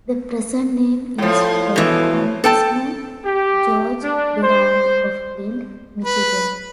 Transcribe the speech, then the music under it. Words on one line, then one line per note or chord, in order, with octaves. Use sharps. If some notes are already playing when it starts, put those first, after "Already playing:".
The present name is for congressman George Durand of Flint, Michigan.
A2 F3
B2 E3
A4 G5 A5
G4
D4
C5
B4